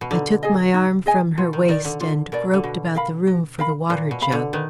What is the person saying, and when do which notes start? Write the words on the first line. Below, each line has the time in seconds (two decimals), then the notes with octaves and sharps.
I took my arm from her waist and groped about the room for the water-jug.
0.01 B2
0.11 D3 D#4
0.43 G#4 D#5 G#5
0.74 D#4
1.06 G#4 D#5 G#5
1.38 B2 F4
1.53 D#3
1.68 D#3 A#4 D5
1.85 D3
2.00 D3 F4
2.32 B2 A#4 D5
2.54 D3
2.64 B2 F#4
2.95 A#4 F5 B5
3.27 F#4
3.59 A#4 F5 B5
3.90 A#2 B4
4.11 B2
4.22 F5 B5
4.32 D3
4.53 D#3 B4